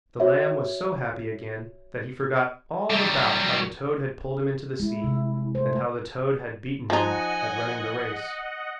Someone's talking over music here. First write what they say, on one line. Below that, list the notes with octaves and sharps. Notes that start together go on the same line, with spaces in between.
The lamb was so happy again that he forgot all about how the toad had pulled him into the sea, and how the toad had beaten him at running the race.
F#4 C#5 E5
F#3 G3
G#3 E4
C3
A3 C5
F3 D#4 D#5 F#5 G#5